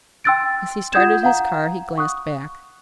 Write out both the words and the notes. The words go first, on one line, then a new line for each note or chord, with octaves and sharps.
As he started his car he glanced back.
G5 C6 E6 F#6 A6 D7
F4 F#5 D#6 G6 G#6 E7
F5 F#5 A#5
C#6 D#6 F#6